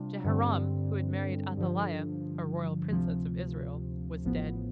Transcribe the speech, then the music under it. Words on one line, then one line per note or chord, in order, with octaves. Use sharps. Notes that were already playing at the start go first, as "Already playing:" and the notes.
Jehoram, who had married Athaliah, a royal princess of Israel, was dead.
Already playing: C3 G3 D4 F4
G2 D3 G3 C4
G2 D3 F3
D2 C3 F3
A1 A2 F3 B3